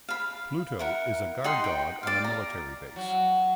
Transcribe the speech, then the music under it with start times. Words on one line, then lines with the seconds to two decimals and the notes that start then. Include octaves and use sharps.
Pluto is a guard dog on a military base.
0.09 F5 B5
0.79 E4 A#4 F#5
1.44 D#4 F#5 G5 C6
1.64 G5
2.03 D5 F5
2.24 A#5
2.96 F#3